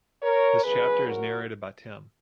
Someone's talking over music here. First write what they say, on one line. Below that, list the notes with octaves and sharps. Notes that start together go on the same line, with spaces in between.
This chapter is narrated by Tim.
A#4 C#5
E2 C#3 F#3 G#4 B4
F#4 A#4